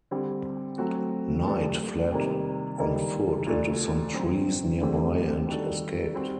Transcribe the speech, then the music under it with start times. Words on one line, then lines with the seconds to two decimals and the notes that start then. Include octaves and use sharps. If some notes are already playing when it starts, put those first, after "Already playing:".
Knight fled on foot into some trees nearby and escaped.
0.11 D3 G3 C4 G4
0.78 F#3 A3 C4 F#4 A4
1.45 F#3 A3 D4 G4
2.12 C3 D#3 G3 A#3
2.79 D#3 G3 A#3 D#4 A4
3.46 A#2 A3 D4 F#4 A4
4.13 D3 F#3 C4
4.81 D3 A3 C4 G4
5.47 D#3 G3 D4 F#4 A4
6.14 G3 C4 F#4